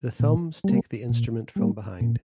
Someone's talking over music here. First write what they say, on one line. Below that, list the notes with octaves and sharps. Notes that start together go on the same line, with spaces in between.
The thumbs take the instrument from behind.
A#2
G3 A#3
A#2
G3 A#3
A#2